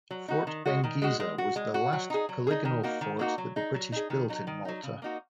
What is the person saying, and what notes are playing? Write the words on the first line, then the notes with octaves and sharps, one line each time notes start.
Fort Benghisa was the last polygonal fort that the British built in Malta.
F#3
D#4 F#4
D#3
G#3 F#4
D#3
G#3 F#4
G#3
F#4
G#3
F#4
F#3
D#4 G#4
F#3
D#4 G#4
D#3
A#3 D#4 F#4
D#3
A#3 D#4 F#4
F#3
D#4 G#4
F#3
D#4 G#4
D#3
F#3 D#4
D#3
F#3 D#4
C#3
A#3 D#4 F#4